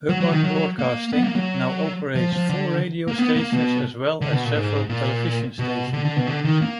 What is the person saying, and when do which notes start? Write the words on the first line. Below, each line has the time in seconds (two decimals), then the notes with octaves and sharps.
Hubbard Broadcasting now operates four radio stations as well as several television stations.
0.09 F#3
0.21 F#3
0.32 D#3
0.44 F#3
0.55 F#3
0.79 A#3
1.13 B3
1.24 A#3
1.35 F#3
2.15 F3
2.33 F3
2.49 D3
3.08 A#3
3.18 B3
3.36 A#3
3.53 B2
4.21 D3
4.32 B2
4.45 A#2
4.56 G#2
4.89 A#2
5.59 B2
5.93 D3
6.05 D3
6.16 B2
6.27 D3
6.44 D#3
6.62 A#3